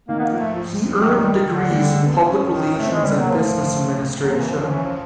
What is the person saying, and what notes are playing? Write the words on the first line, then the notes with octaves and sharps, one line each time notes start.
He earned degrees in public relations and business administration.
D#3 A#3
B3
A#3
F3
A3
F3
D#3 F#3
D#3 G3
D#3 G#3
D3
G3
G#3
B3
C#4
D#3
A3
C4
G#3
G3 B3
F#3 A#3
F3 A3
F#3 A#3
F3
E3
F3
F3
E3 C#4
F3